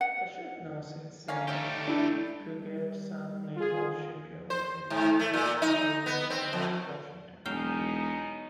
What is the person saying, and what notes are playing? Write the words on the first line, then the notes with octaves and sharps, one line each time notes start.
The ship now sits in Puget Sound Naval Shipyard in Bremerton, Washington.
F#5
A#3 C#4 F5
A3 D#4 G4 C#5 E5
D4 E4
G3
D#3 F4 G#4
C5
G#2
A3
A#2
D#4
B3
C4
F2
E1 B2 F#3 C#4 D#4 F5 G5